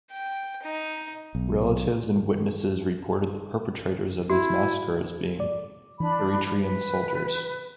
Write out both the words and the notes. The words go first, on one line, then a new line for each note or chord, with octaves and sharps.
Relatives and witnesses reported the perpetrators of this massacre as being Eritrean soldiers.
G5
D#4
B1
E4 F#4
D5
E3 D4 B5
B4